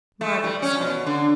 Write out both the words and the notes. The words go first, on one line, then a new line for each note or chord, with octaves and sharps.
Margaret was silent.
A3
G3
C#4
B2
D3